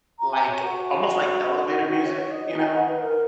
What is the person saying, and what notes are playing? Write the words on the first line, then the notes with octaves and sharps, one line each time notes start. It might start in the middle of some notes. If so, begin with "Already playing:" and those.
like almost like elevator music, you know,
A#5
G#5
C#5
F#4
F#4
C#5
C#5
D#5
D#5
G#5
F#5
B4
A#4